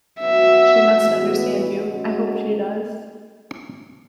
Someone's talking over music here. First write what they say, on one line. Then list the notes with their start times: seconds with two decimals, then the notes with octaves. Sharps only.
She must understand you. I hope she does.
0.20 F#3 B3 F#4 E5
1.03 A2 E3 B3 F#4
1.86 C#3 G#3 C#4 F#4